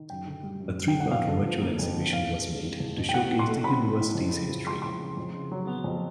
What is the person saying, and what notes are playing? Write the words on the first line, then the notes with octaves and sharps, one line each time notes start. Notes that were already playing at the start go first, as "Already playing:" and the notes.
A three part virtual exhibition was made to showcase the university's history.
Already playing: D#3
F#2 G5
D3
G3
F#2
F#2
G5
D3
F#5
F2 F5
D3
F3
A#3
F2
D3
E2 F5
B2
G#3
C4
E2
B2
G5
A2 F#5
E3
C6
A3
C4 B5
A2
E3
F2
C#3
F3
G#3 C6
F2 C6
C#3
F2
C#3
F#3
B3
F2